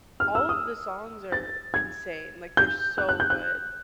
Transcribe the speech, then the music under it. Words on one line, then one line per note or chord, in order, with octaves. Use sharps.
all of the songs are insane, like, they're so good.
F6
E6
D#6
A6
G#6
G6
F#6
F#6
G6
F#6